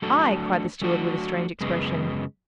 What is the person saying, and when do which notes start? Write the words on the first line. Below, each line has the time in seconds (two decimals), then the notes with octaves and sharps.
"I," cried the steward with a strange expression.
0.02 F#3 A3 D4 F#4 A4
0.81 F#3 A3 D4 F#4 A4
1.61 F#2 C#3 G#3 B3